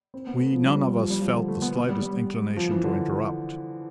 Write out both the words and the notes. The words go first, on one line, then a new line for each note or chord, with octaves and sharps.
We none of us felt the slightest inclination to interrupt.
C4
B3
A3
F3
G3
F3
G3
F3
G3
F3
D3
A3
B3
B3
G3
G3
F3
E3
D3